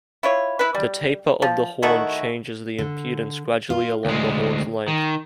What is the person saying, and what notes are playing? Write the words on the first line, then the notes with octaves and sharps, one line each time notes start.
The taper of the horn changes the impedance gradually along the horn's length.
E4 F4 C#5
E4 B4
G3
F3
D#3 A3 E4 F#4
D3
F4
D2 G#3
D#3